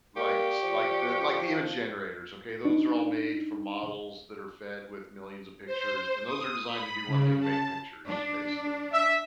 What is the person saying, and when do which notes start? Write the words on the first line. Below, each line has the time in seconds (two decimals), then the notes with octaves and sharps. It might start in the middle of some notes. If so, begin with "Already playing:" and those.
Like s like the like the image generators, okay? Those are all made from models that are fed with millions of pictures, and those are designed to do one thing: make pictures, basically,
0.16 A#3 G4 D5 C#6
0.62 F3
2.65 D4 D#4
5.66 C5
6.25 D#6
6.67 B5
7.07 C#3
7.40 A5
8.06 D4
8.93 E5